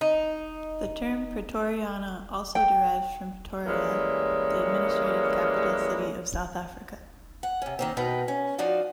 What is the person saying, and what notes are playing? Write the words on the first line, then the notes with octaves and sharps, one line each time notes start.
The term "Praetoriana" also derives from Pretoria, the administrative capital city of South Africa.
D#4
G5
E3 G3 G#3 A#3 C#4
F#5
C3 C#4
D#3 A#3 C4
B2 D#4 A#4 B4 G5
C#4
F3 D#4 F#4 D5 F5